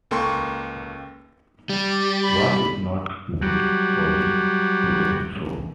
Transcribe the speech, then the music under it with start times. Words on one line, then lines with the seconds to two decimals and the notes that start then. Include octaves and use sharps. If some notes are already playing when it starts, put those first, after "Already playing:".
Was it not cruel for him to do so?
0.11 C#2 A#3 A4 G5 C6 C#6
1.69 G3
2.21 B5
3.42 F#3 G3